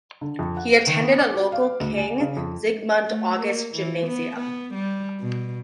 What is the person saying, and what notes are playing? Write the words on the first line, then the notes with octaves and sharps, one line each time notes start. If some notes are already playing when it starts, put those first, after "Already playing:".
He attended a local King Zygmunt August gymnasium.
D3
F2
F#5
D#3
B3
D6
F#4
F5
D2
G#5
C#3
F2
A3
A#3
E3
B3
B3
G3
B2